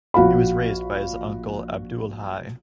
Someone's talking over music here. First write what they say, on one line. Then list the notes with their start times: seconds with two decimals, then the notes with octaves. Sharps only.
He was raised by his uncle Abdul Hai.
0.14 A#1 F#4 F5 B5